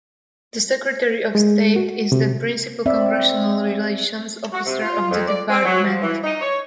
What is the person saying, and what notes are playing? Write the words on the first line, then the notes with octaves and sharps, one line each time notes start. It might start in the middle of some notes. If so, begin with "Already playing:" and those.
The Secretary of State is the principal Congressional Relations Officer of the Department.
G#3
F#4
C3
C4 D5 E5
F#4
C3
F4
F2
D5
C4
F#3
F3
E3
D#4
C#5